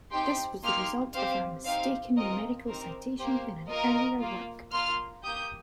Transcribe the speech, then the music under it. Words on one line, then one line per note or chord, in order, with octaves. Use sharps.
This was the result of a mistaken numerical citation in an earlier work.
C4 D#4 G4 G5 C6
A#3 D#4 G4 C6 F6
C4 G4 C5 F5
C4 D#4 G4 C5 F5
C4 F4 A#4 D#5
C4 D#4 G4 A#4
A#3 G4 C5
A#3 F4 A#4 D#5
A#3 F4
A#3 F4 C6 F6
A#3 G4 D#6 G6